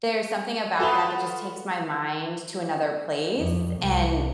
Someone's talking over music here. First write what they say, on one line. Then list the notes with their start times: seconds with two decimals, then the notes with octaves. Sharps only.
there's something about that that just takes my mind to another place and
0.80 B3 F4 F#4 A4 B5
3.40 F2
3.81 C2